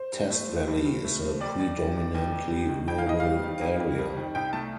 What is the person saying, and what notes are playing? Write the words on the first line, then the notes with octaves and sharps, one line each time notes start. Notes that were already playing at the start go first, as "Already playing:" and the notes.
Test Valley is a predominantly rural area.
Already playing: C5
G2
A3
F3
G2
G2
A3
F3
D#2 D5
D#2
G3
D#3
D#2
D#2
G3
D#3
F2 G5
F5
F2 D#5
F5
G3
D#3
F2
F2
G3
D#3
C2 G5
A3 A5